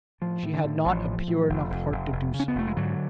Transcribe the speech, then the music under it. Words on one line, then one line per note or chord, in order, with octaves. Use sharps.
She had not a pure enough heart to do so.
A2 F3
A2
D3
A2
A1 F3
A2
A2
F1
F1
F1
F1
C#3
C#4
B3
F1 A3
G#3
G#2 D3 F#3